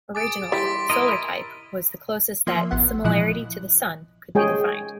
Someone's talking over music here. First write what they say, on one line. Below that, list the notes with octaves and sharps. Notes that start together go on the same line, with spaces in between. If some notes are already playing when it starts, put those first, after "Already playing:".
Originally, solar-type was the closest that similarity to the Sun could be defined.
G#4 D6 A6 D7
E3 G3 C6 A6 B6 D7
E4 A#4 D#5
F3 A#3 E5 C6
A1 B3 F#5
A#2 E3 F3 E4 D#5 F#6
G#3 G#4 C#5 G5